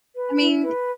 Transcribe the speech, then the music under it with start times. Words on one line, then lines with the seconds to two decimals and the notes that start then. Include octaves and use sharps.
I mean,
0.16 B4
0.39 E4
0.63 B4